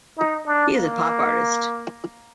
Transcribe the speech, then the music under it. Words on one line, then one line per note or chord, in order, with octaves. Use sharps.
He is a pop artist.
D#4
D4
A#3